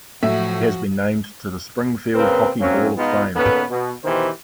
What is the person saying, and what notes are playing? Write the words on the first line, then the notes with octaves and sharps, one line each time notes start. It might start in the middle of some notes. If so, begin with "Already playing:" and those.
He has been named to the Springfield Hockey Hall of Fame.
A2 F3 F#3 F#4 E5
C#3 A#3 C4 A#4 B4
F#3 A#3 C4 C#4
B2 G#3 B3 D#4 F4
A#2 D#3 B3 C#4 A4 B4
B2
B2 D#3 E3 G4 C5